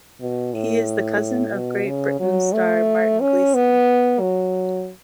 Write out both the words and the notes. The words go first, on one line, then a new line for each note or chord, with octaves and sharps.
He is the cousin of Great Britain star Martin Gleeson.
B2
A2
B2
C#3
F#3
A3
C#4
B3
F#3